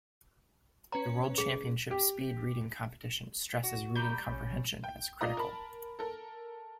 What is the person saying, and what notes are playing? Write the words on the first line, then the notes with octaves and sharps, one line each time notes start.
The World Championship Speed Reading Competition stresses reading comprehension as critical.
C#4 B4 C#5 A#5
G#4
G4
F#4
G3 A#5 B5 G6
A1 C#4
G5
F4 D5 D#5 A#5 D#6
A#4 A5 B5
A4 A#4